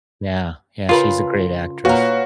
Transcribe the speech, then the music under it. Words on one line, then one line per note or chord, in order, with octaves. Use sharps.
Yeah, yeah, she's a great actress.
C#3 F4 A#4 B4
A#2 F#4 A#4 B4 C#5 F5